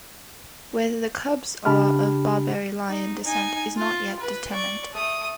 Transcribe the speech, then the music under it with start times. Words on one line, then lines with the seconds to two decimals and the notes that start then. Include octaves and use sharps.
Whether the cubs are of Barbary lion descent is not yet determined.
1.65 C#3 D4 G4 A5 B5 F6
2.88 D#4
3.23 D#4 G#5
3.77 F4
4.20 B4
4.52 D5 C#6
4.93 A3 D#6